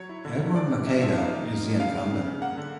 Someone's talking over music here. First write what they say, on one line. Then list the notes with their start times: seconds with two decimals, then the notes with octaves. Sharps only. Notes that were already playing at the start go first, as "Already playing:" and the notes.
Edward Maceda is the incumbent.
Already playing: F#3 C#5
0.09 E4
0.25 D3
0.40 F#3
0.56 G#3 D5
0.71 C3 D5
0.86 C#4 E5
1.02 F3 E5
1.18 D#4 F5
1.33 A#3
1.49 D#4
1.64 F#3
1.80 C#3 F5
1.96 C#3
2.11 C#3
2.27 C#3
2.41 A#3 F#5
2.57 D3